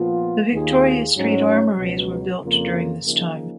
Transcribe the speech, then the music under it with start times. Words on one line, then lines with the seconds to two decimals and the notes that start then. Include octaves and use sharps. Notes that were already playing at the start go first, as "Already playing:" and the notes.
The Victoria Street Armouries were built during this time.
Already playing: A#2 F3 B3 F4
0.52 D#2 D#3 A#3 F4 G#4
1.15 G#2 F#3 C#4
1.79 C#2 B2 F#3
2.42 F2 C#3 F3 A#3 F4
3.05 C#3 F3 A#3 D#4 G#4